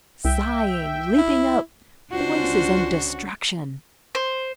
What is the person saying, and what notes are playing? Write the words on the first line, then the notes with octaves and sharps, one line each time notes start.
Sighing, leaping up, voices and destruction!
C2 E5 G5
E4
C#2 D3 C#4 D4 F4 F#4 C5
C5